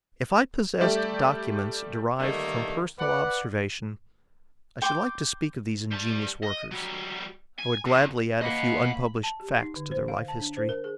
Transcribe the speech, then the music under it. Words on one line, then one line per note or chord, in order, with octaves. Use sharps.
If I possessed documents derived from personal observation, I should like to speak of these ingenious workers; I would gladly add a few unpublished facts to their life-history.
G3 A3 G4 A4 D5
G2 D3 D#3 G3 A3 A#3
B4 D5 F#5
G5 C6 D6
G3 A5
D#5
F#3 G3
G#5
E2
A#3 D#5 F#5 B5
A5
G4
D#4
D3
C5
F5
A5
D4
C5
A#4
G#4